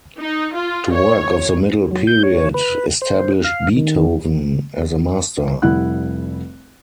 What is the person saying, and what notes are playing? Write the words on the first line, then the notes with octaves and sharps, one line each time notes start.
The work of the middle period established Beethoven as a master.
D#4
F4
C#5
F#3
G6
C#5
B4
C5
F5
D#3
F1 G3 E4 F#5 F#6